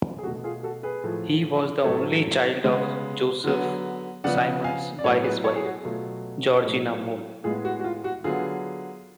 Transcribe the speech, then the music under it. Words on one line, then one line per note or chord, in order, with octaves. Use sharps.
He was the only child of Joseph Symons by his wife, Georgina Moon.
G#4
B2 A3 F#4
F4 G#4
F#4 A4
G#4 B4
A2 F3 A3
A2 F#3 A3 A4 C#5
C#3 G#3 B3
D3 F#3 B3
C#3 F3 B3 D5 F#5
F5 G#5
D5
A2 F#3 B3 A4 C#5
G#4 B4
A4 C#5
G#4
F#4
B2 F#3 A3 F4
A2 F#3 A3
A2 G#3 B3 F4 G#4
F#4
F#4
F4
F#4
D3 F#3 B3 F4 G#4